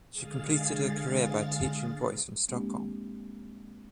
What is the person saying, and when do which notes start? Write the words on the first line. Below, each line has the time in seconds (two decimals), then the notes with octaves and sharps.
She completed her career by teaching voice in Stockholm.
0.11 D3 G#3 G#4 F5 A6
2.49 G#3 A#3 C4 D4 G4